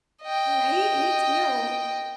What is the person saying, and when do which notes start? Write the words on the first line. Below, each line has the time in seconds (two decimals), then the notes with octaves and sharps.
Right? Me too.
0.23 D#5 G5